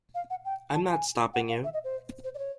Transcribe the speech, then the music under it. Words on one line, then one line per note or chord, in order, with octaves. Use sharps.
I'm not stopping you!
F5
F#5
G5
A5
G#5
F#5
F5
E5
D#5
C5
C5
D5
C#5